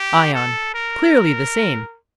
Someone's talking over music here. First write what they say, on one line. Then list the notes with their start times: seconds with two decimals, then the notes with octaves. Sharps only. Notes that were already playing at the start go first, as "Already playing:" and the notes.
ION: Clearly the same.
Already playing: G4
0.34 A4
0.74 A#4